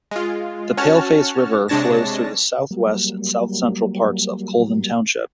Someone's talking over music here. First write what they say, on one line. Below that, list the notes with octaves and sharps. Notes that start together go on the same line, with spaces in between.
The Paleface River flows through the southwest and south-central parts of Colvin Township.
G#3 F4
C#4 F#4 C#5 A5 F6
C3 G#3 D4 C#5 A5 A#6
F#3 G3 A#3